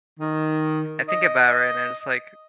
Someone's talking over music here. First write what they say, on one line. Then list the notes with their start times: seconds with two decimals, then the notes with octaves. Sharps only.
I think about it right now, and it's, like,
0.19 D#3
1.09 D#5